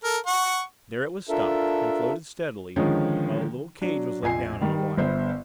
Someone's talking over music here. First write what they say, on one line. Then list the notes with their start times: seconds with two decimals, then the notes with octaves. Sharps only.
There it was stopped, and floated steadily, while a little cage was let down on a wire.
0.04 A4 A#4
0.26 F#5 C#6
1.29 D4 F4 A4 A#4 E5
2.76 D3 D#3 F3 G#3 C#4 D#4
3.82 F#3 D4
4.23 A#1 F2 G#5 C7
4.61 D#3 G3
4.97 G1 B3 C5 E5